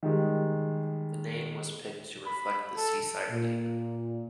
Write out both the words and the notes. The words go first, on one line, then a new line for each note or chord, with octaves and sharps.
The name was picked to reflect the seaside theme.
D#3 G3 G#3
B5
A4
A#2